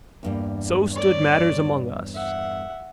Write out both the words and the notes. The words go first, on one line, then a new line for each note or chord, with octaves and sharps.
So stood matters among us.
E2 G2 A#3
C#5 D5
E5 F#5